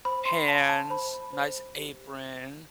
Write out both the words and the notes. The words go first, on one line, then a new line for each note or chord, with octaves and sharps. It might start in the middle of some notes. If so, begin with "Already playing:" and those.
pans, nice apron.
C5 B5
C6
F5 A5
A5
C5 B5
C5
G4